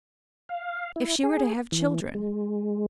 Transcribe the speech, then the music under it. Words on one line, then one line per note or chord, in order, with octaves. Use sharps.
If she were to have children!
F5
E4
G#4
E3
G#3